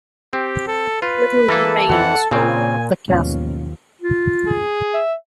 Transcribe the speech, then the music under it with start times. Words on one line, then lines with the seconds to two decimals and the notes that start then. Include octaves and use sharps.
Little remains of the castle.
0.33 C4 G4
0.67 A4
1.02 F4 B4
1.49 E3 A#3 A4
1.89 F2 E3 F#5
2.31 A#2 C#3 C4 G#5
3.08 D#2 G#2 B2 F3 F#3 C#4
4.02 F4
4.47 G#4
4.94 E5